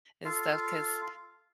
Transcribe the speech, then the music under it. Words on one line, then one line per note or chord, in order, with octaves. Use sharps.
and stuff 'cause
F4 A4 F5